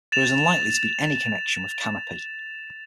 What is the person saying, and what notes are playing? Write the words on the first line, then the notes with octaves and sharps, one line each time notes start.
There is unlikely to be any connection with "canopy".
A6 E7 F7